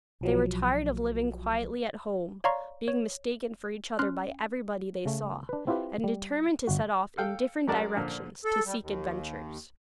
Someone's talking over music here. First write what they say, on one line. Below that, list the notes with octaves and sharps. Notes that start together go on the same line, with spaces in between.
They were tired of living quietly at home, being mistaken for each other by everybody they saw, and determined to set off in different directions, to seek adventures.
B1 F3 F#3
C#5 D5 F5 A#5 C6 C#6
C#5
C#4 C6 F6 F#6
C#3 A3
D4 B4
C4 E4 F4 G4 B4
G3
G1 F#4
A4 F5 G5
F#2 G#3 A#4 D5 F#5 A5
A#2 D3 F3
A4
G3
D#2